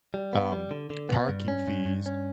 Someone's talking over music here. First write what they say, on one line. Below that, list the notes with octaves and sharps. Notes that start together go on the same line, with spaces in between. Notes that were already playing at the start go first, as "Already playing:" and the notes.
um, parking fees,
G3
B3
G3
D3
D3
B3
G2
C#4
G2
G2
C#4